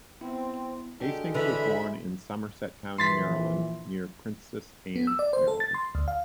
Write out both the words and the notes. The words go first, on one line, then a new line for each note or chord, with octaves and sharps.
Hastings was born in Somerset County, Maryland, near Princess Anne, Maryland.
B3 C4 E4
G#3 D4 F#4 G4 A4
D3 E3 E5 B5
A#1 E3 C6 A6 B6
B3
E6
D5
C5
A4
A6
C6
D2
F5